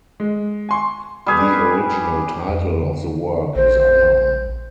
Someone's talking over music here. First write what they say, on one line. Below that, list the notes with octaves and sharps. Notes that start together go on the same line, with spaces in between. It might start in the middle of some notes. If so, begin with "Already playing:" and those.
The original title of the work is unknown.
G#3
G#5 C6 C#6
G3 G#4 B4
F2
D3
A#1 C5